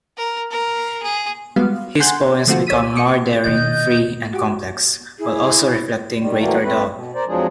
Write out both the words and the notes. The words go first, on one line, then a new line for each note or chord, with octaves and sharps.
His poems become more daring, free, and complex, while also reflecting greater doubt.
A#4
A#4
G#4
G3 G#3 B3 F#4 F5
F#5 G#5 C6 F#6 G6
D3 F3 A3 C4 F4 F#4
C2 C#5 E6 B6 D#7
D6 D#6 C#7
D#2 B2 D#3 D#5 F#6 G6 A6
F#4 G4
E4 G#4
D#3 G3
A2 E3 F#3 G3 A3 A#3
A3 C4 B4
B2
A#4 C5 D5
F2 F3 F#3 G#3 D4 G#4